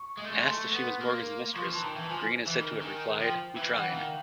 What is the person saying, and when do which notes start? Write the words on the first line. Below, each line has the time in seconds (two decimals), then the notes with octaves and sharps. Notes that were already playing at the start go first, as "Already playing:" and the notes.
Asked if she was Morgan's mistress, Greene is said to have replied, We tried!
Already playing: C#6
0.18 G#3
0.25 A3
0.32 G#3
0.45 A3 C6
0.72 B3
1.00 A#3
1.55 F3 C#6
1.68 E3 C6
1.75 A5
1.82 D#3 A#5
1.96 E3 A5
2.10 F3 G#5
2.47 E3
2.58 D#3
2.82 D#3
3.21 F3 G5
3.57 E3
3.75 E3 F#5
3.89 D#3 F5